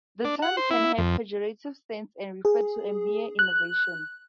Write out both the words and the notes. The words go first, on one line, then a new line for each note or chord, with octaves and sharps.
The term can have pejorative sense and refer to a mere "innovation".
D4
F#5
C5
E4
F2
G#4
F#6